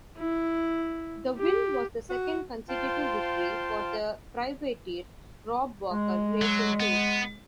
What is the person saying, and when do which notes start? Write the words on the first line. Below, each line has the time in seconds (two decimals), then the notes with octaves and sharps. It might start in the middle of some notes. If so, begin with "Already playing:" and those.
The win was the second consecutive victory for the privateer Rob Walker Racing Team.
0.17 E4
1.38 G4
2.10 F#4
2.69 F4 C5 F5 G5 A5 C6
5.91 G#3
6.42 F#3
6.80 B3